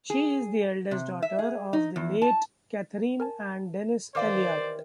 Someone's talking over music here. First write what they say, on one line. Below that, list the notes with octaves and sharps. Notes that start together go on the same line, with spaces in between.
She is the eldest daughter of the late Catherine and Denis Elliott.
G#4
C3
E5
G#4
D#4
E2
A5
A#4 G#5 A5
D#3 E3 G4 C5 D5 F5 D6 F6